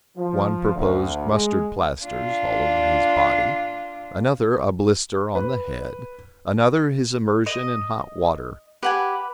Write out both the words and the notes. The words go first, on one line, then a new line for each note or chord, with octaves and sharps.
One proposed mustard plasters all over his body; another a blister on the head; another his immersion in hot water.
F3
D2
G#3
D4 F4
B4
D#5
G4 B4 F#5 G#5